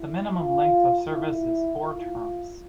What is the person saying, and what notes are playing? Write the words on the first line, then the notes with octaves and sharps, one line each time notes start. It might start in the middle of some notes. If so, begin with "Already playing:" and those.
The minimum length of service is four terms.
Already playing: E4
F4
E4
F4